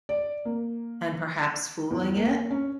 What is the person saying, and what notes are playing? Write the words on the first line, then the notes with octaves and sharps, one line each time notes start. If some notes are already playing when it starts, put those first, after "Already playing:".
and perhaps fooling it
D5
A#3
E2
A#3
C#4